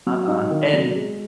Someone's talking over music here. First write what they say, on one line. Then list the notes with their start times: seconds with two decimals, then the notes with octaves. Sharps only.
Uh-uh, and
0.07 F#3
0.28 D#4
0.50 D#3
0.73 F#3
0.96 G#3